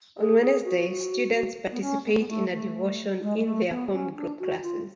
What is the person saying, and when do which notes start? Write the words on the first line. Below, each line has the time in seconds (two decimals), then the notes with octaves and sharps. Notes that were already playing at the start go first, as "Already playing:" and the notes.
On Wednesday, students participate in a devotion in their homegroup classes.
0.18 G#4
0.41 G#4
0.65 F#4
1.71 B3
1.82 C#4
2.05 B3
2.12 A3
2.20 B3
2.28 A3
2.52 A3
3.22 G#3
3.38 G#3
3.45 A3
3.69 B3
3.92 C#4
4.16 D4
4.39 F#4
4.62 F4